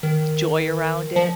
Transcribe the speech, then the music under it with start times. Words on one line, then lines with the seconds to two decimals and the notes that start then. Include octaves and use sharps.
joy around it
0.03 D#3
1.16 F3